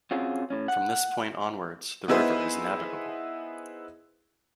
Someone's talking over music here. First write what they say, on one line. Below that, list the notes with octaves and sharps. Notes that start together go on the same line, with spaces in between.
From this point onwards the river is navigable.
C4 C#4 F4 F#4 G#4
A2 C#4
F#5
B3 D#4 E4 G#4 B4 C5